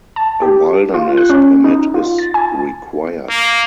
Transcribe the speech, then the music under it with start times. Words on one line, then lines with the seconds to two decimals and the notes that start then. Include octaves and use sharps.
A wilderness permit is required.
0.16 A5
0.42 G4
0.94 F4
1.17 F#6
1.30 C#4
1.64 D#4
1.94 F4
2.18 A6
2.34 G#5
3.30 A#3